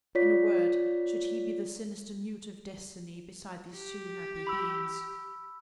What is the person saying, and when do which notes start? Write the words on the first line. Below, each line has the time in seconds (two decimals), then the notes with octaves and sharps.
In a word, should he be the sinister mute of destiny beside these two happy beings?
0.15 F4 C#5 D5 B6
3.76 G4
4.47 B5 E6